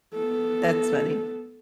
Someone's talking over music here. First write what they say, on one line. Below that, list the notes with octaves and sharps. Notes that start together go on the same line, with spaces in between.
That's funny.
B3 A4